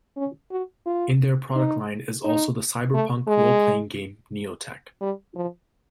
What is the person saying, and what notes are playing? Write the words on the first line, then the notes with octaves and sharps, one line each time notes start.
In their product line is also the cyberpunk role-playing game "Neotech".
C#4
F#4
F4
D#4
D#4
A3
G#3
G3
F3